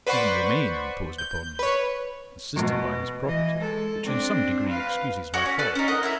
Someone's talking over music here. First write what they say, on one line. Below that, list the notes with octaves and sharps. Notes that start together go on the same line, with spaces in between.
Even Romayne imposed upon me--assisted by his property, which in some degree excuses my folly.
B4 C5 D5 F#5 B5 C#6
G6
B4 C#5
B2
E3 D#5
G#3 A4
C4 D4
B4 F5
F#4 C#5 D5
C#4
A4 B4 D5
C#4 D#4
A#4 D#5 F#5
E4 A#4 E5